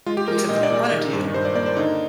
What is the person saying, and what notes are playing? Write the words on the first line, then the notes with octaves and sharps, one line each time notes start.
doing something I wanna do,
G#3 F4
G4
G#3 A#4
A#4
A#2 D#5
D5
A#2
D5
D#3
G2
G2 C5
D5
A#3 D5
C5
D3 D#4